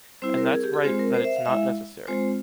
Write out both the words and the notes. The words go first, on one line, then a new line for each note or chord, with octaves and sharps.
And that’s right that it’s not necessary.
G3 C4 E4 C5
A#4
G#4
G4
G#4
G#3 C4 F4 C5
A#4
C5
E5
F5
G#3 E4 E5
G#3 C4 F4 C5